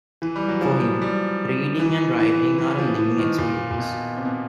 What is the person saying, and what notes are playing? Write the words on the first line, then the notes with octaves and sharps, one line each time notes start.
For him, reading and writing are a living experience.
E3
G3
F#3
F3
G3
E3
E3
E3
F3
E3
D#3
A#2
A#2
B2
C3
B2